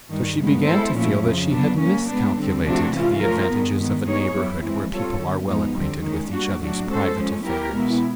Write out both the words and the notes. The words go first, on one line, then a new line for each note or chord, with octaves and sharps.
So she began to feel that she had miscalculated the advantages of a neighbourhood where people are well acquainted with each other's private affairs.
G2 D#3 G3
G2 D#3 G#3 B3
G#3 B3 E4 A4 C5
A#2 F3 A3 C#4 E4
F2 C#3 F3
F#3 B3 D4
F#3 A#3 C#4
G#3 B3 D4
D3 G3 C4
C3 F3 A3 D4 F#4
E3 G#3 C#4 F4
F3 A3 C#4 F4 A#4
G2 D#3 G#3 B3
G2 D#3 G#3 B3
G#3 B3 D#4 G#4 C#5
F#3 B3 E4
E3 G#3 C4
G3 C4 F4 A4 C#5
D3 G3 B3
G#2 F3 G#3 B3 D#4
F2 D3 G3 C4
D#3 G#3 C#4
G3 A#3 D4 F#4
A2 F#3 A3 D4 F#4
G#3 C#4 F#4 A4 C5
F3 G#3 C#4
F#3 B3 E4 G4 A#4
B2 G#3 B3 E4